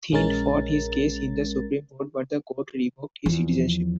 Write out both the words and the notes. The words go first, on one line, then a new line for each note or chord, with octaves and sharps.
Thind fought his case in the Supreme Court but the court revoked his citizenship.
A#1 G#3 C#4 A#4 A6
E2 F3